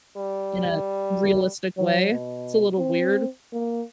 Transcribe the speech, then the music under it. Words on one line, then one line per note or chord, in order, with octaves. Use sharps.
in a realistic way. It's a little weird,
G3
F#3
B2
C4
A#3